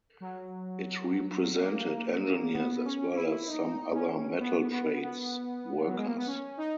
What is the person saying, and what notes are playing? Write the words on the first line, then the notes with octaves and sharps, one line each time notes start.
It represented engineers, as well as some other metal trades workers.
F#3
A#3
B3
C#4
E4
D#4
C#4
B3
B3
B3
F#3
G#3
A#3
B3
C#4
D#4